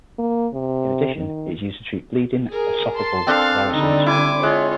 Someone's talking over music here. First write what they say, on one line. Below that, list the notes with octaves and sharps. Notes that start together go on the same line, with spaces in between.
In addition, it is used to treat bleeding esophageal varices.
A#3
C3
D#3
G#4 A#4
A5 C6
C4 D4 A4 F5
D3 G3 D#4
E4 G#5 D6
G#3 F4 C#5